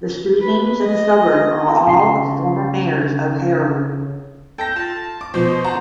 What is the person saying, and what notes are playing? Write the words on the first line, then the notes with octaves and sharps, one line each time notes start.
The street names in the suburb are all of former mayors of Harare.
B4
D#5
C#3 C6
A4 G5 A5 A#6
F4 A5
D6
B2 F3 C5
F#4 A5 A#5